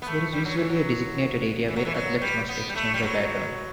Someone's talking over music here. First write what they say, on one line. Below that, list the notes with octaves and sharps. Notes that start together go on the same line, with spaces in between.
There is usually a designated area where athletes must exchange the baton.
B3
A3
G3
F#3
E3
F#3
E3
F#3
E3
F#3
G3
B3
G3
A3
G3
F#3